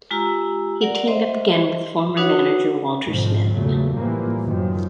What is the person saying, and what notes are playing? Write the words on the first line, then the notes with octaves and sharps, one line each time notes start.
He teamed up again with former manager Walter Smith.
G#3 F4 G4 A#5 E6
A#4 D5 F#5
C5 D#5 E5 C6
D4 D#4 F#4 B4 C#5 F#5
F2 G#2 B2 D3 F3
E2 A#2 C#3 F#3 A3
A2 E3 F3 G3 A#3
F#2 D#3 F3